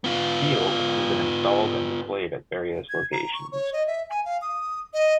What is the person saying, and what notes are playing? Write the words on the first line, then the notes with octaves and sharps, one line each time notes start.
"Field" has been installed and displayed at various locations.
B3 F4
G#6
A#5
C#6
C#5
D#5
E5
G#5
F5
D#6
D#5